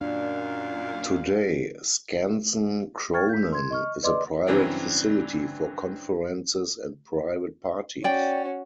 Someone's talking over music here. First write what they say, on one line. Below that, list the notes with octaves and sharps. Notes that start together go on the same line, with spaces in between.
Today Skansen Kronan is a private facility for conferences and private parties.
F#2 A#2 D4 F5
G5 C#6 F6 G#6 A6
G6 B6
C6 G#6
D#5 C#6 F6
B4 D5 D#5 C6 D6
G2 C#3 E3 F#3 C4 D4
C#4 F#4 D5 G5